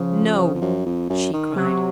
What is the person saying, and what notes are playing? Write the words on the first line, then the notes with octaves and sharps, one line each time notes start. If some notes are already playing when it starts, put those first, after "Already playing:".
"No!" she cried.
Already playing: C#3 F3
F2
F#2
F2
F#2
D#3
C3 F#3